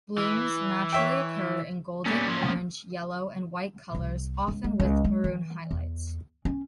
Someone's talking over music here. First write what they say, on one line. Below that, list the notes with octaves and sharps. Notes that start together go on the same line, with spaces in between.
Blooms naturally occur in golden, orange, yellow, and white colors, often with maroon highlights.
E3
C#5 E5 G5
A#2 G3 C#4
F3 C#4
C2
C#2
G#3
C#2
G#3
E3
E2
C#4